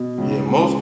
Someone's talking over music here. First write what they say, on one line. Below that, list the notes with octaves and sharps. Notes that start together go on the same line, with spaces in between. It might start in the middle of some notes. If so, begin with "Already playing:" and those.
Yeah, most
Already playing: B2
C#2 C#3
C#2